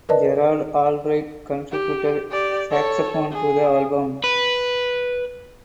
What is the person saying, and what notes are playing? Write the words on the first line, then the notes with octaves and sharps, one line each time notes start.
Gerald Albright contributed saxophone to the album.
A#4 B4 D5 D#5 A5
G4
G4 D5
A4 C#5
G#4
B4